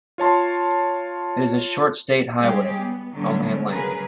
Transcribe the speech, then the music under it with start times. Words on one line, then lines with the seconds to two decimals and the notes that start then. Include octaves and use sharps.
It is a short state highway, only in length.
0.18 F4 C#5 A5 C6
2.38 G3 G#3 C4 C#4 G4 G#4
2.80 B3
3.16 D3 F#3 G3 A3 B3 C#4
3.70 C#3 F#3 G#4 A#4 B4